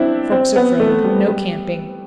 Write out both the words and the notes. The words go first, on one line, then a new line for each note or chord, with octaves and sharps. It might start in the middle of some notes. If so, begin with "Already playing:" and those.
Forks of Road.--No camping.
Already playing: C4 D4 E4
C4
B3
A3
G3
G3